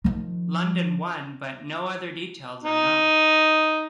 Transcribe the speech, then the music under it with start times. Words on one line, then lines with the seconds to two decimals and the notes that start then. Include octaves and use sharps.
London won but no other details are known.
0.04 D#3 F3
2.64 D#4